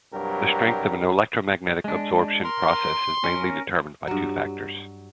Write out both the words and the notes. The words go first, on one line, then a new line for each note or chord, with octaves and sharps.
The strength of an electromagnetic absorption process is mainly determined by two factors.
C2 G2 F#3 G4 A#4
G#3 D4
A#4 C6
C#4 A#4
G2 F#3